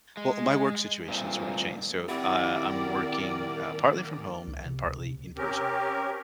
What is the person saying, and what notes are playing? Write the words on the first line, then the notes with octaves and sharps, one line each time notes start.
well, my work situation sort of changed, so, uh, I'm working, uh, partly from home and partly in-person,
G#3
G2 A#2 A3 C4
D#2 C4 E4 G4 A#4 D5 F#5
C#2
C3
D2
C3
C4 C#4 G4 A#4